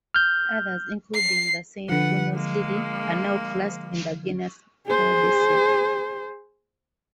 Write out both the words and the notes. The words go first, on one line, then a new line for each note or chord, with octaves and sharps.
Others, including the Saint Bruno's Lily, are now classed in the genus "Paradisea".
F6 G6
C7
D3 F3 B4 F#5
G#3 A#3
G#4 C5